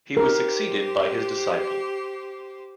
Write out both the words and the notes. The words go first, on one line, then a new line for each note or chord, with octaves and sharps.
He was succeeded by his disciple.
G4 A#4 C5